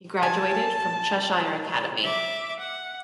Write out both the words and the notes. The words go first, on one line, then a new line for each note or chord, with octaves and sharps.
He graduated from Cheshire Academy.
G#5 A5
E5 D6
F#5